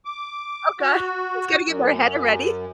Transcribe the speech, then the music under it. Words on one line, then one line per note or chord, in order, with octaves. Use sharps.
Oh god. It's getting in my head already.
D6
F#4
F#2